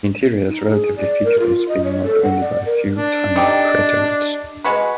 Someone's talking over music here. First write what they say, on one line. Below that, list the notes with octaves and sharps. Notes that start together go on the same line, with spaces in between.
The interior is relatively featureless, being marked only by a few tiny craterlets.
D#4
G#4
D5
A#4
F4
D#5
C#5
A4
F#5
D5
A#4
D4
D#4 G4 A4
G#3 F#4 B4